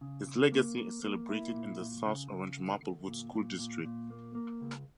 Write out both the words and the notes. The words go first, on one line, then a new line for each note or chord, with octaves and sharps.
His legacy is celebrated in the South Orange-Maplewood School District.
C#3
C#3
A#3
A#3
A#3
E4
A#2
A#2
C#3
C#3
D2
D2
A#2
A#2
A#2
A#2
A#3
A#3
C#2